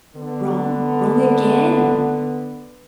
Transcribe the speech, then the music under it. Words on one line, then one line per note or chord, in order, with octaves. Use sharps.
'Wrong, wrong again.
D3 B3